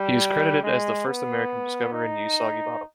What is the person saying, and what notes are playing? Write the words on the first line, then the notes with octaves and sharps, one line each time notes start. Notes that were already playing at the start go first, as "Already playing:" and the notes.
He is credited as the first American to discover and use soggy bottom.
Already playing: G3
G#3
B3
D#4